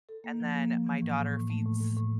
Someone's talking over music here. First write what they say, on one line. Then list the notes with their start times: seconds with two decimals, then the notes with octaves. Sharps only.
and then my daughter feeds
0.09 A4
0.24 A#3
0.40 F3
0.55 A#3
0.72 F3
0.87 E3
1.02 A2
1.19 A2
1.34 A2
1.50 A3
1.66 A2
1.81 A2
1.97 A2